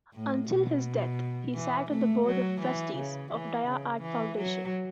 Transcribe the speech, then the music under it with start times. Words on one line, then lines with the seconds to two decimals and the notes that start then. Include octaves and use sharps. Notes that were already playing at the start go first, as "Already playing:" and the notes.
Until his death, he sat on the Board of Trustees of Dia Art Foundation.
0.14 A2
0.50 B2
1.54 E3
1.90 A3
2.26 F#3
2.61 E3
2.96 C#3
3.32 E3
3.67 C#3
4.02 E3
4.38 F#3